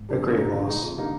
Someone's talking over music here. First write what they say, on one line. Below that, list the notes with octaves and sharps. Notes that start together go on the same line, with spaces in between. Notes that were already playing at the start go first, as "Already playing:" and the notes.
A great loss.
Already playing: G#2
G3 D4
A#2 D3
G#3 D#4
D3
G#3 D#4
F2
D3 G3 A#3 D#4